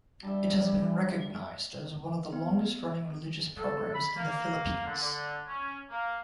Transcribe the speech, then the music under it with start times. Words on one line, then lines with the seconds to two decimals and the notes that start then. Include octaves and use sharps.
It has been recognized as one of the longest-running religious programs in the Philippines.
0.23 G3 D4 E5
2.32 B3
3.58 A4
3.94 B5
4.16 A#3
4.86 D3
5.01 D3
5.47 C#4
5.91 A#3